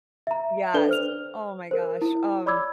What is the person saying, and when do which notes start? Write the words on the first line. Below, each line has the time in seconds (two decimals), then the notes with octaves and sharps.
Yes, oh my gosh. Um, mm
0.27 E5 A#5
0.74 D4 A4 B4 D5 G7
0.89 C5 F6 F7
1.71 A#4 C5
2.02 E4
2.46 C#5 D5 B5 D6 E6 G#6